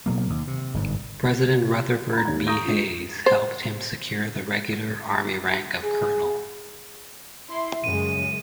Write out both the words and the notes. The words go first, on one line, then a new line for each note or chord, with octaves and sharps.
President Rutherford B. Hayes helped him secure the regular army rank of colonel.
B2 F#3 A#3
D#2
C3
G1 G#2
A#5 B5
D#2 D#4 G#6
A#5 C#6 D#6 G6 A#6
G#3 D4 F4
C5
G#4
E4 C6
F#2 C#3 G#3 D#7